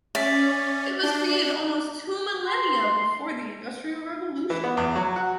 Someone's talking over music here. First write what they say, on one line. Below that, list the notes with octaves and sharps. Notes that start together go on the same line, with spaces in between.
It was created almost two millennia before the industrial revolution.
C#4 D5 E5 B6
D4
C6
E3
B3
E2
F#3
F#4